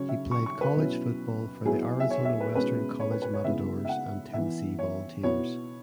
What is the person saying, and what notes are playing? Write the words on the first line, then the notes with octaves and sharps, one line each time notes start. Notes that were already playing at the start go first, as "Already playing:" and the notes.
He played college football for the Arizona Western College Matadors and Tennessee Volunteers.
Already playing: C#3 F#3 C#4 C#5
E5
C#6
C#6
B4
B2 F#3 C#4 E4
F#3 B3 E4 G#4
E5
C#5
E5
B4
B2 G#3 C#4 B4
C#5
B4
B4
C#5
C#3 G#3 B3 E4 E5
E5
F#5
E3 B3 E4 E5
C#5
B2 B3 E4 C#5